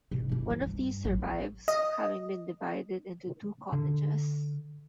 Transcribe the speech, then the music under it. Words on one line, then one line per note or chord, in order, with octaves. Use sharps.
One of these survives, having been divided into two cottages.
B2
G1 E4
F3
G2
A1 F#3
D#5
D3